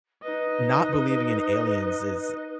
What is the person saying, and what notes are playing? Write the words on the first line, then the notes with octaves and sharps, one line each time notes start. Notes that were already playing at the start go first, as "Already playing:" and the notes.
not believing in aliens is
D#4 B4 D#5